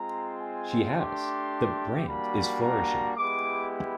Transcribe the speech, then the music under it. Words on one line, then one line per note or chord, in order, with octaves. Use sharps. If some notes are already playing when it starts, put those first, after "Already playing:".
She has: The brand is flourishing.
Already playing: G#3 C4 F4 A#5
G#5
A3 D4 G4 C6
G3 A#3 D4 F#4 B5
A#5
G#3 B3 E4 G4 D6